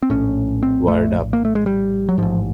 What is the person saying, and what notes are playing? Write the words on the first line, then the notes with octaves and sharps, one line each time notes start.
Word up!
C4
A#1 A2 C#4
C4
A3
A#3
A3
G#3
G3
F#3
A1 G#2 F3